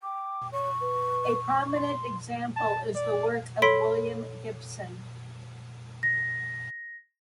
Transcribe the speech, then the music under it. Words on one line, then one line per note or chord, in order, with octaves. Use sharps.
A prominent example is the work of William Gibson.
G5 D6
C#5 C#6
B4
C6
A5
D5
A4 C#5 B5 C6 B6 D7
A#6